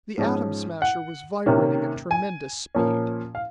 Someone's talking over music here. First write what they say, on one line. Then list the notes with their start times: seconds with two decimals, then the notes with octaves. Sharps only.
The Atom Smasher was vibrating at tremendous speed.
0.18 G#2 F3 G#3 C#4
0.82 F#5
1.46 C3 D#3 A#3 C#4
2.11 G#5
2.75 A#2 F3 A#3 C#4
3.35 F5